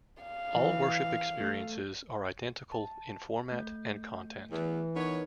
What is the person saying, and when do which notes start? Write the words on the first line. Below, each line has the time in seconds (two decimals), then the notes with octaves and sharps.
All Worship Experiences are identical in format and content.
0.22 F5
0.53 E3
1.38 A3
2.72 A5
3.49 A3 G6
4.51 E2 E3
4.96 B3 D#4 A#4 B4 C#5